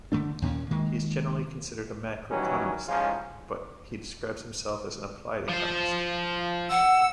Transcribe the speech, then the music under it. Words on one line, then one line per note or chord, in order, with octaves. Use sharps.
He is generally considered a macroeconomist, but he describes himself as an "applied economist".
D3 F3 A3 D4
D#2 A#2 G#3 C#4
D#3 G#3 A#3
D#3 E3 F#3 G3 C#4
A1 G#2 F3 G#3 C#4 F4
F3 C5
F#5 E6